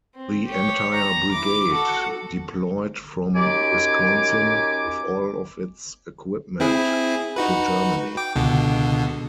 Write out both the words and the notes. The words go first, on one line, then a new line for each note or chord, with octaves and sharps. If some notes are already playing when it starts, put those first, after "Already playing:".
The entire brigade deployed from Wisconsin, with all of its equipment, to Germany.
C4
G4 C#5
A#5
E4 D6
F#4 A4
F#2 D#4 G4 G#5 D6
C4 E4 G#4
D#4 F#4 B4
G5 D6
C#2 B2 D3